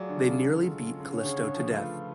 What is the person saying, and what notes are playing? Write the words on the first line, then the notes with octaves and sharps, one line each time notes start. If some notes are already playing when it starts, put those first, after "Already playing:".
They nearly beat Callisto to death.
Already playing: F#3 A3 F4 G#4 D5 F5
D3
C#3
G#3 C#4 F4 A4
C#3
D3 C#4 G#4 C#5 F#5
C#3
D3
F3
A3 F4 B4 F5